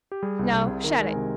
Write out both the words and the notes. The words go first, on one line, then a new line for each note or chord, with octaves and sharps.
No, shut it.
G4
G3 G#4
C2
C3
C2
D#3 A#4
G#3 G#5
C3 G#5